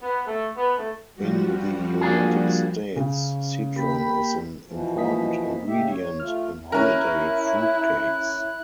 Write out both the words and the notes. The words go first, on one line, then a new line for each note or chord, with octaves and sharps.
In the United States, citron is an important ingredient in holiday fruit cakes.
B3
A3
B3
A3
F3 G3 F#4
A#3 D4 G#4
C#3 C#4
A#3 G4 B5
B2 E3 F3
A#3 D#5 B6
C#3 G4 E5
C#5
A3 F4 F6
C#4 E4 A#4 F#6